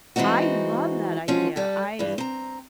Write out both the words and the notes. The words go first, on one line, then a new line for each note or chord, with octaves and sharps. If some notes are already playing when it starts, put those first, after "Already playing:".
I love that idea, I
E3 G#3 C4 D#4 F#4
F3 G#3 C#4 F#4
G3 A4
G2 E3
C4 A#5